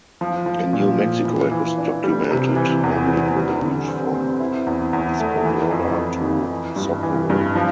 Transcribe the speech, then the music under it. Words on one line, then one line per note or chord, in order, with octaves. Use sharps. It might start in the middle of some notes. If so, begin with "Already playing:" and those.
In New Mexico, it was documented only in the reach from Espanola to Socorro.
F3
F3
A#2
A#2
E3
E3
D4
G3
C3
E3
E2
E3
G3
D3
C4
C4
E4
E2
E2
A3
E3
F2
F2
F2
E3
G2
E3
G2
F3